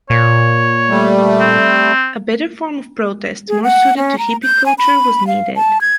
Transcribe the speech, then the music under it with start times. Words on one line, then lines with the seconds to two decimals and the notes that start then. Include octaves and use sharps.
A better form of protest, more suited to hippie culture was needed.
0.10 A#2 C#5
0.90 G3 A3
1.40 C4
3.49 G#4
3.63 F#5
3.97 C#4
4.18 A#5
4.43 G6
4.66 G#5
4.78 B5
5.27 F5
5.56 A5
5.81 G#6